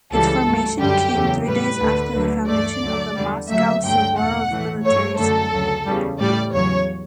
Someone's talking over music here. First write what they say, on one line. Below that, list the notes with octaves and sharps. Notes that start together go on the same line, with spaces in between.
Its formation came three days after the foundation of the Moscow Suvorov Military School.
C#2 C#3 E3 G3 A4
G2 F#3 A3
F#2 D3 G3 G4
E2 C#3 F#3 A3
A2 G3 B4
D2 D3 A3
D2 D3 F#3 A3
G2 E3 A3 D5
D2 D3 F#3 A3
E2 D3 G3
D2 C#3 F#3 A3 E5
G2 D3 F#3 A3 G5
E2 B2 A3 F#5
A2 E3 A3
G2 F#3 A3 C#5
F#2 D3 F#3 A3 A4
D2 C#3 F#3
E2 C#3 E3 G3
A2 G3 D5
E2 C#3 F#3 C#5